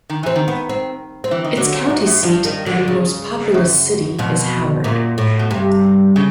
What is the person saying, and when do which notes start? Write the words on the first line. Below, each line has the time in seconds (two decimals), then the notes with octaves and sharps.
Its county seat and most populous city is Howard.
0.10 D#3
0.23 E3 C4
0.36 D#3
0.48 B3
0.69 C4
1.24 C4
1.31 E3
1.44 D#3
1.57 D3 F#3
1.73 A#2
1.86 A2
1.90 G#2
2.01 G2
2.06 F#2
2.23 G2 F3
2.45 D#3
2.66 D3
2.88 C#3
3.54 F#2
4.18 F2 B2
4.84 F#2 A#2
5.18 A2
5.39 B2
5.51 G2 C3
6.16 C#3